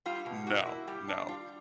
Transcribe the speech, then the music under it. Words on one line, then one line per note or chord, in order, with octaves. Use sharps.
No, no,
G3 F4
B2
A#3 F#4
E4
G3 G4
D4
G3 F4